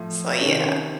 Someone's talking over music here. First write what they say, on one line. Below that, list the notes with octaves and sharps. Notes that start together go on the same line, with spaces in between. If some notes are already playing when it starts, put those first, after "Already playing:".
So, yeah.
Already playing: A2 F3
C3 D#3 C#4 C#5
C5
C#4 C#5